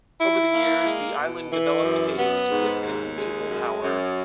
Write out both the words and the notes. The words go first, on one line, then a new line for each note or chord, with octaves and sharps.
Over the years the island developed a significant naval power.
E4
A#3
G#3
B2
E3
F#2
B3
G#2
D#2
G#3
F#2
F#2